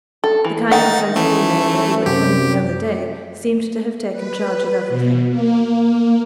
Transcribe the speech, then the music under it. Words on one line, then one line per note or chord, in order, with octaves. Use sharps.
The kind and sensible neighbour, who had come in the other day, seemed to have taken charge of everything.
A4
E3
D#3 D#4 F#5 A6
E3 A3 C#4 A4
F#2 C3 C4 G4
B4
B2
A#3
A#3